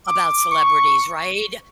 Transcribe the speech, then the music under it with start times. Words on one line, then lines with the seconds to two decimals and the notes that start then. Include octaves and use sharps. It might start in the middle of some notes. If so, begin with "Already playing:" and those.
about celebrities, right?
0.07 D6
0.51 C#6